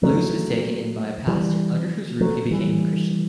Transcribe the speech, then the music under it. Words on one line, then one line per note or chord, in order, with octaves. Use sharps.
Luce was taken in by a pastor, under whose roof he became a Christian.
F#3 A3
E3 G3
F#3 A3
E3 G3